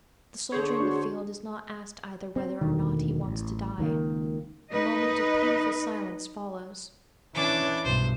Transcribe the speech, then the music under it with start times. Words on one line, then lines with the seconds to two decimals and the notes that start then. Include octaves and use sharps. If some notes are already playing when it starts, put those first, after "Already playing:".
The soldier in the field is not asked either whether or not he wants to die.' A moment of painful silence follows.
0.52 D3 G#4 C5 C#5
0.80 D4 F#4
2.36 C4
2.61 E1 D2 D#3
3.24 A1
3.78 C#2 D#3 A#3
4.72 D#4 B4 D#5
7.35 E3 C#4 D4 D6
7.84 B1 G2 C5